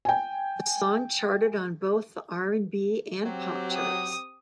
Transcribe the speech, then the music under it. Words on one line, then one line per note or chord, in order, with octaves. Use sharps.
The song charted on both the R and B and pop charts.
G5 G#5
F#3 C4 G4
D#6